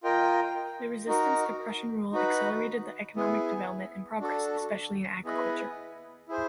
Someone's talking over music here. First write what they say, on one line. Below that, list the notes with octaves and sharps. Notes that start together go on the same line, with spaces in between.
The resistance to Prussian rule accelerated the economic development and progress, especially in agriculture.
F4 A#4 D#5 G5
D#4 F#4 A#4
D#4 F#4 B4
B3 E4 G#4
D4 F#4 A4
B3 E4 G#4 B4 D#5
E4 G#4 C5